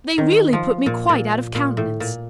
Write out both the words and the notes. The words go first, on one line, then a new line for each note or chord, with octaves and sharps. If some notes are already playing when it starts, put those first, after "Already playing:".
They really put me quite out of countenance.
D#3
F3
A#2
A#2
A#2
A2
A#2